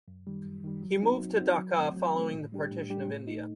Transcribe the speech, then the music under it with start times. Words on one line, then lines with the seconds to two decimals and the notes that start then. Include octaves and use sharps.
He moved to Dhaka following the Partition of India.
0.08 F#2
0.27 D#3 G3
0.45 F#2
0.64 D#3 G3
0.83 F#3
1.02 C4 D#4 F#4
1.20 F#3
1.39 C4 D#4 F#4
1.58 F#3
1.77 A3 C4
1.96 F#3
2.15 A3 C4
2.34 A2
2.52 G3 D4 G4
2.71 A2
2.90 G3 D4 G4
3.08 A2
3.27 A3 D#4